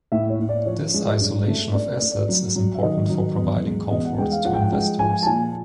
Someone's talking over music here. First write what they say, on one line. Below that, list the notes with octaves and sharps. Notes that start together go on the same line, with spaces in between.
This isolation of assets is important for providing comfort to investors.
A2 E5
C#5
A2
D5
F3 C#5
G#3
G2
A3
A3 D5
D5
A3
D5
F#3
F#3
E5
D#3 D#5
F#3
E2
G#3
E2 D#5
F#5
G#3 G5
F5
F3 F#5
G5
F#5
G#3 G5
F3 G#5
A5
A#2 G#5